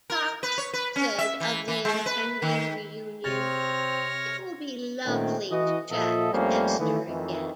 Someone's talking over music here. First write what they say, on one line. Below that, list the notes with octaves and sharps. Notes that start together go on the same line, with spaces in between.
Cox said of the impending reunion: It'll be lovely to chat to Esther again.
A#4
B4
C#5
B4
C#4
E5
E3
E3
G#3
B4
D#3
C3 C4 C#5 F6 A6 A#6
A#2 D#3 A3 C4 C#4
E3 F#4 D#5
A#2 F3 F4 A4 D#5 E5
F2 G3 A3 A#3 C#4 C5
D#3 E3 A3 B3
F2 D#3 E3